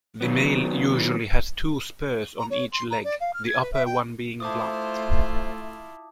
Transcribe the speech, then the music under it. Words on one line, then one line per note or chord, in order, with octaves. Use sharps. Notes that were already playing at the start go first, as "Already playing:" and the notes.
The male usually has two spurs on each leg, the upper one being blunt.
D#3 F#3 B3
A#5
C#5
C6
A#5
D5
F5
F6
G#6
B4
E5
G5
A3 E4 F4 C5 A5 D6 D#6